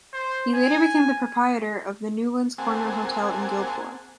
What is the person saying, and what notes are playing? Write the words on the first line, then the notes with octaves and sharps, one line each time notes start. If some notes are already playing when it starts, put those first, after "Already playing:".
He later became the proprietor of the Newlands Corner Hotel in Guildford.
C5
G#5
A#3 C4 G#4 F#5 G#5 A5